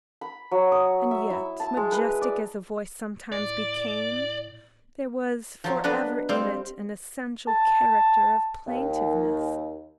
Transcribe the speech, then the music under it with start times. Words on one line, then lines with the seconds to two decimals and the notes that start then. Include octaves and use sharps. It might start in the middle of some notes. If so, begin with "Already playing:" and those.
And yet, majestic as the voice sometimes became, there was for ever in it an essential character of plaintiveness.
0.21 B5
0.51 F#3
0.72 D#6
1.11 E5
1.30 E4
1.60 A5
1.77 G#3
1.92 B4
2.21 D5
3.32 A2 D5
5.64 F3 F#3
5.84 B3 D4 B4 D#5
6.29 G3 C4 F5
7.48 A5
8.67 D#2